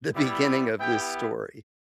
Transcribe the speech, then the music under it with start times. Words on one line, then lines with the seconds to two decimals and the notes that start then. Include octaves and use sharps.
the beginning of this story.
0.14 G3 B3 E4
0.79 B3 E4 G4 G5